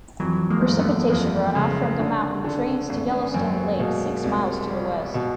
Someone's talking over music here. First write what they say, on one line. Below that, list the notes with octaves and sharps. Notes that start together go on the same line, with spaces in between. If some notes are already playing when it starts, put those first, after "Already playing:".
Precipitation runoff from the mountain drains to Yellowstone Lake six miles to the west.
F2 E3 F#3
G#3 A#3
G1
A3 B3
F2 G#3 A#3
C#3
D3
D3
G#1
B3 C#4
F#2 A#3 C4
A3 B3
B2 G#3 A#3
C2
G3
B2